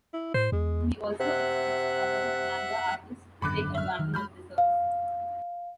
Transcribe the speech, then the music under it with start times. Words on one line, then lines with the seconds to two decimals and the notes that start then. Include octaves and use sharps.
He also expects other manga artists to take advantage of the service.
0.14 E4
0.34 A2 C5
0.52 E2 G#3
1.20 C3 E5 F#5 F#6
3.42 G#1 F#2 D3 B5 D6 F#6
3.75 E5 F6
3.99 D#3
4.14 F3 G#3 B5 F6 G6
4.58 F5